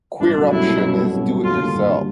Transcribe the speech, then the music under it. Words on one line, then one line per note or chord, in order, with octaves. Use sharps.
Queeruption is Do-it-Yourself!
C2 D4
B2 F#3 A3 C#4
C2 E4
B2 F#3 A3 C#4
C2
B2 F#3 A3 C#4
C2
B2 F#3 A3 C#4
D#2 F4
D3 G3
D#2
D3 G3